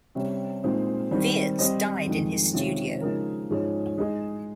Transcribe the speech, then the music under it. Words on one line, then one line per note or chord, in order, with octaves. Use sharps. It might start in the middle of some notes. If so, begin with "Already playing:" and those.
Wiertz died in his studio.
C3 G3 C#4
A#2 G#3 C4 D#4
D#3 G3 C4
G3 C4 G4 C5 D#5
F2 D#3 G#3
C3 D#3 G#3 C#4 F4
C#3 F3 G#3 D#4 A#4
G#2 F3 G#3 C#4 G#4
G#3 D#4 G#4 D#5